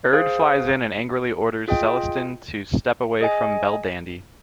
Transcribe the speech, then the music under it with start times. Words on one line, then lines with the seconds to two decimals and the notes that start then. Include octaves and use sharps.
Urd flies in and angrily orders Celestin to step away from Belldandy.
0.13 G#4 C5 F5
1.68 F4 G#4 D#5 G5
3.21 G#4 D#5 G#5